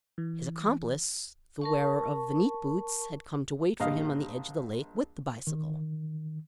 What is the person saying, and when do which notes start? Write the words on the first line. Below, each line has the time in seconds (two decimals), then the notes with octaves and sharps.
His accomplice, the wearer of the neat boots, had come to wait for him on the edge of the lake with the bicycle.
0.18 E3
1.61 A#4 A5 C#6
3.80 A#1 G2 D#5 F5
5.47 D#3